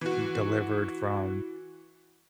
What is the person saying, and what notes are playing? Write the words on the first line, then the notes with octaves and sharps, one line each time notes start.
delivered from,
E3 F#4